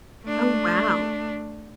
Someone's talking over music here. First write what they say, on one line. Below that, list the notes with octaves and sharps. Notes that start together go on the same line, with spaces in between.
Oh, wow.
A3 D4